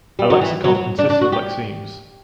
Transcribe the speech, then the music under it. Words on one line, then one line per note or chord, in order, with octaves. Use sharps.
A lexicon consists of lexemes.
G3
F#3
E3
F#3
F#3
D4
D4
F#4
G4